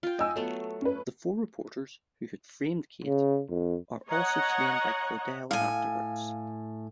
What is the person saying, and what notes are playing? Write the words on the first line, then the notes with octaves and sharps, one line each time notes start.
The four reporters who had framed Kate are also slain by Cordell afterwards.
F4 G5
D#5 G#5 E6
F#3 A3 B3 A4
C#4 B4
C#3
F2
C#5 D#5 F#5 A#5
A2 F5 G#5